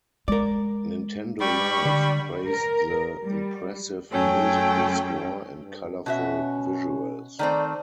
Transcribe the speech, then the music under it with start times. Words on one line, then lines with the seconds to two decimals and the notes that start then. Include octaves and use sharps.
Nintendo Life praised the "impressive" musical score and "colorful" visuals.
0.28 G#3 A#4 D5
1.41 G3 B5 C#6
1.85 D3
2.49 A#4
3.23 G3
4.11 F#2 F#3 A3 C#4 G5
5.63 G2
6.06 B2 C#4 F#4 E5
7.39 D#3 A3 C4 D5